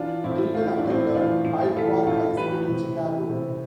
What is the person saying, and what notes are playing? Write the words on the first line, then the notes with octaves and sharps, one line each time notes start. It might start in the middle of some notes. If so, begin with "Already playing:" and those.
Dillon attended Hyde Park High School in Chicago.
Already playing: E3 D4 F4
A2 C4 E4
E3 F4
E4
D4
A2
C4 E4
E3 D4 F4
A2
E3 F4 A4
A2 F4 A4
E3 G4 B4
C3
E3
C3